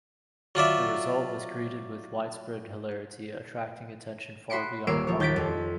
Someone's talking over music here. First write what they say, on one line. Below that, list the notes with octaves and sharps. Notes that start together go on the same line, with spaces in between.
The result was greeted with widespread hilarity, attracting attention far beyond Hartlepool.
F#3 F4 D5 E5
F#4 B5 C6 C#7 D7
D#1 A#3 C#5 E6 C7 D7
F3 C#5
D#2 G6 A6 B6 D7
F2